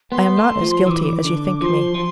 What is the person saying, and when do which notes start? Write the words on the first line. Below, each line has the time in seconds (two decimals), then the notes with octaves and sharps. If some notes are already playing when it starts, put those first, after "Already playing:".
I am not as guilty as you think me.
0.12 B3 C6
0.37 A3
0.61 F3
0.87 E3 D6 E6
1.25 D3
1.62 F3 C6
1.95 F3